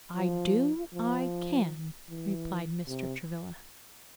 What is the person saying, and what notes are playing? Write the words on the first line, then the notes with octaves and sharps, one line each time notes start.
"I do; I can," replied Mr. Travilla.
F3
F3
E3
C3